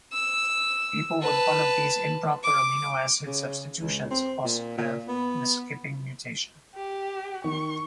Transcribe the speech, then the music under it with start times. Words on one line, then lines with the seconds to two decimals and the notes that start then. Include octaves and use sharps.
People with one of these improper amino acid substitutions also have the skipping mutation.
0.13 E6
1.22 B4 A5
2.43 D6
3.26 C#3
3.81 C#2
4.10 C4
4.44 A#2
4.78 A#2
5.08 B3
6.74 G4
7.44 D#3 C#6